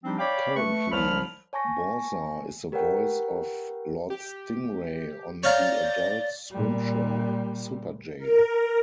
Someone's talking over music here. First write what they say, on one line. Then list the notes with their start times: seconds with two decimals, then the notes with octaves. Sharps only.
Currently, Bauza is the voice of Lord Stingray on the Adult Swim show, Superjail!
0.04 F3 G3 C4 D4 D#4 G4
0.19 C#5 D5 F5 G5 B5 D6
0.56 A3 B4 C#6
0.90 C2 F3 F#3 B5 F6
1.53 C#5 G#5 A5 C#6 A#6
2.72 G4 A#4 B4 C#5 F#5 G5
4.10 G4
5.44 C#5 D5 F5 A#5 G6 A6 A#6
6.52 A#2 G3
8.18 A#4